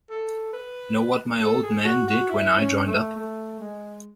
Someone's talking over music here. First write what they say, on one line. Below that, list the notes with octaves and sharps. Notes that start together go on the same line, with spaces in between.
Know what my old man did when I joined up?
A4
B4
A4
G#4
F#4
F#4
E4
C#4
A3
A3
G#3